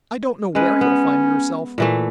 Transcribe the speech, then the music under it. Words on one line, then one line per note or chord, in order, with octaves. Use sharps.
I don't know where you'll find yourself.
G#3 C#4 B4
B3
A#2 E3 A3